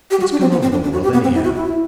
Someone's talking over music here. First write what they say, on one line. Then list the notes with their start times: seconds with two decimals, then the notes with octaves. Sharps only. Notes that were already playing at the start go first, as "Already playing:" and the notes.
What's come over the world anyhow?
0.11 G4
0.21 F#4
0.32 D4
0.41 C4
0.52 B3
0.62 C4
0.72 D4
0.83 D4
0.93 F#4
1.03 G4
1.13 B3
1.24 C4
1.34 E4
1.44 F#4
1.55 E4